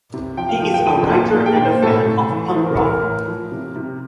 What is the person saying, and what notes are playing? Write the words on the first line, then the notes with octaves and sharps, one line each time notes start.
He is a writer and a fan of punk rock.
C3
F3 G5
F5
F3 G5
G5
F3
A#2 A5
A5
A#2
G5
A#2
C5
A2 A4
A2
E3
E3 C5
A#4
E3 A4
A#4
A2
F3
C3
C3